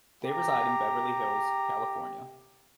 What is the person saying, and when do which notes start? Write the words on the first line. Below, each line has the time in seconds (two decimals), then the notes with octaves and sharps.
They reside in Beverly Hills, California.
0.25 G4 A#5